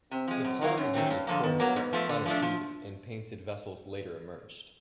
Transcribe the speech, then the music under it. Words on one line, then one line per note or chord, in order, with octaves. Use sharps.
The pottery is usually coarse but finer fluted and painted vessels later emerged.
C3 C4
F3 G#3
F#2
D#3 F#3 A#3
F#2 C#4
D#3 F#3 A3 C4
G2
D3 F3 A#3
D#3 B3
F#3 A#3
G#2
F3 A3
D3
F3 A3 D4
F3